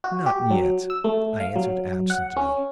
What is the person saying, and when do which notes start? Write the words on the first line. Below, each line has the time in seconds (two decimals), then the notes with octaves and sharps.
"Not yet," I answered absently.
0.04 F#4
0.26 G4
0.50 F#3
0.90 E6
1.04 A3
1.40 F5
1.56 F#3
2.10 F#5
2.37 C#4